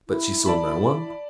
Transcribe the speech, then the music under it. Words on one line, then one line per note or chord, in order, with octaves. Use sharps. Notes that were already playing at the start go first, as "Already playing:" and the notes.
"But she saw no one?"
E4
D5 A5 B5